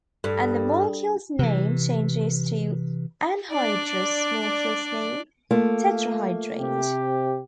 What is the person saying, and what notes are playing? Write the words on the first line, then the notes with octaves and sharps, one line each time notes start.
And the molecule's name changes to anhydrous molecule's name tetrahydrate.
G2 A4
C3 E3
D4 D5
A3 A#3 F4
C3 G4